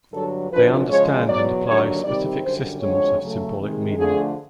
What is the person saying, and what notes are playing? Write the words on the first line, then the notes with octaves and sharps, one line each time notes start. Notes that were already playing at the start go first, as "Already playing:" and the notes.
They understand and apply specific systems of symbolic meaning.
G2 D3 F#3 A4
F#2 D3 F3 B4
C#3 F3 G#3 C#5
E2 B2 F#3 D5
D#2 D3 F#3 C#5
C3 D#3 G3 C4 D5
F#2 D3 G3 C5
D2 D3 F3 G#3 C4 C#5
C#3 F#3 A3
C3 D#3 G#3
D3 F3 A3 D4 G#4